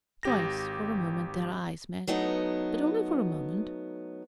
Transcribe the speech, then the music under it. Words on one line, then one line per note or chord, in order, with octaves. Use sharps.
Twice, for a moment, their eyes met; but only for a moment.
G#1 G4 A#6
F#3 A3 B3 D#4